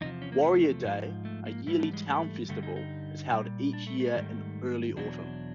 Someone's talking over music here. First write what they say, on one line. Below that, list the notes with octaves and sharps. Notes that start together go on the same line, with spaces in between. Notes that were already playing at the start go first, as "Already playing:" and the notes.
Warrior Day, a yearly town festival, is held each year in early autumn.
E2 C3 F3 D#4
C#4
A#3
A3
G#2 F3
A3
A#3
G#2 E3 G3 A3
A3
G#3
A3
G2 D3 G3 A3
D#4
D#4
A#2 G3
D4
A3
A3
G#2 D#3 G3
E2 B2 F#3 D4